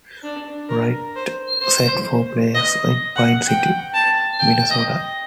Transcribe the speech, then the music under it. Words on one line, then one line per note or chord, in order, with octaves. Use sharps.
Wright set four plays in Pine City, Minnesota.
D4
A#4
C5
C5
D#5
F#5
G5
A5
G5
D#5